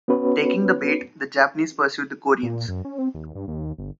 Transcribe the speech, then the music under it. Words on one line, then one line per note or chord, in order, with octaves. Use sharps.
Taking the bait, the Japanese pursued the Koreans.
B3 C#4 F#4 B4 C#5
A#2
F#2
C#4
C4
D#2
G2
D#2
G1